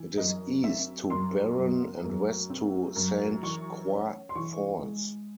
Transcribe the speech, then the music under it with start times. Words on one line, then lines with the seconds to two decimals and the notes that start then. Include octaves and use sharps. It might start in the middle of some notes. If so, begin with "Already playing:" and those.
It is east to Barron and west to Saint Croix Falls.
Already playing: E3
0.17 F#2 D#5
0.64 C4 E5
1.10 F#2 C6
1.56 F#2
2.04 F#2
2.50 C4
2.96 F#2
3.43 E3 C#6
3.89 C#4
4.29 C6
4.35 E3 C#6
4.82 G#3